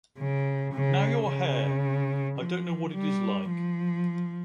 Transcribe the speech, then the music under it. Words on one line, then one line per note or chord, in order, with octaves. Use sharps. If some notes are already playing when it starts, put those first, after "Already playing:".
Now your hair, I don’t know what it is like!
C#3
C#3
C#3
F3
G3
F3